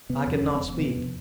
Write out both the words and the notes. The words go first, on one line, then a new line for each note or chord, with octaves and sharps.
I could not speak.
C3 B3
F2
C#4
F1
C4
F1
C3 B3
F2